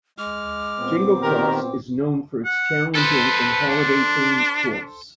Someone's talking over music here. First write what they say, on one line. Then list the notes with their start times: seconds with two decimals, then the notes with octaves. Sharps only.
Jingle Cross is known for its challenging and holiday themed course.
0.18 G#3 D6 F6
0.79 A#2 B3 C4
1.23 D#3 G4 A#4
2.45 F#5
2.95 A4 B4 C5
3.69 D4